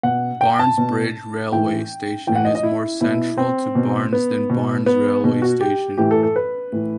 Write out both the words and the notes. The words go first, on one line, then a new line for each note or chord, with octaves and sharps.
Barnes Bridge railway station is more central to Barnes than Barnes railway station.
B2 F#5
G5
A5
B2
A2 E3 G5
A2 E3 G5
F#5
D#5
D#5
E4
B2 E4
C4
B2
B3
B2
B3
B2
F#4
G4
A2 E3 G4
A4
A4
B4
A2 E3